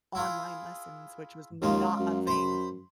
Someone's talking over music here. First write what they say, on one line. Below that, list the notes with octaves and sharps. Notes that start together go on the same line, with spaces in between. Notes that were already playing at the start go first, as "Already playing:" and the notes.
online lessons, which was not a thing.
E4 F4 G#4
D#2 C#3 G#3 F4
F#2
C5 B5